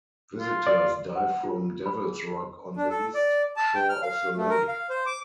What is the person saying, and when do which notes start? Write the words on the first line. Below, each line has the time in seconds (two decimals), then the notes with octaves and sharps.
Visitors dive from Devils Rock on the east shore of the lake.
0.39 F4
0.67 D5
1.16 F#5
1.43 F4
1.86 B5
2.05 G#4
2.76 D4
2.90 A4
3.14 D5
3.56 A5
3.75 G5
3.89 F6
4.03 F5
4.37 A3
4.50 A#4
4.68 F5
4.90 C5
5.06 D6